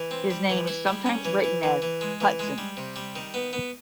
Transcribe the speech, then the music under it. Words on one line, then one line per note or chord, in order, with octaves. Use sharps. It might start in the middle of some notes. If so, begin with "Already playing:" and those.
His name is sometimes written as Hudson.
Already playing: E3
C4
G3
E3
E4
G3
C#4
E3
E3
E3
E3
G#3
E3
G#3
G3
C3
G3
D#3
B3
B3